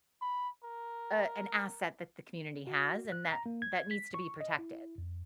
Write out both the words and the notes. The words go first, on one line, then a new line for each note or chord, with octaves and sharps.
a an asset that the community has and that that needs to be protected.
B5
A#4
F#4
F#6
A#5
A#3
G#6
B6
C#6
D#5
E4
F2